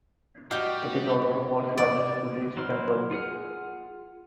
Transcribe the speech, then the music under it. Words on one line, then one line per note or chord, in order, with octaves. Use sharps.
It is also the world's largest Buddhist temple.
G3 F#4 G4 D#5 F5 G5
D5
F#3 E4 C6 F6
F4 G#4 F#5 F6